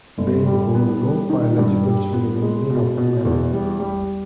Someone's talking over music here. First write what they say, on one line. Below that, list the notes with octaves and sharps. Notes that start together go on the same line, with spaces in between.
Bayes bore no biological children in any of her marriages.
G1
G3
B3
G3
D#3
G2
G3
B3
G#3
B2
B2
E2
G3
G3